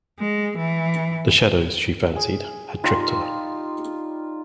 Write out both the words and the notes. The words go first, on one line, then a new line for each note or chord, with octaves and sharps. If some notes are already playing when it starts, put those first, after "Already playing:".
The shadows, she fancied, had tricked her.
G#3
E3
G#4
G3 D#4 F4 C5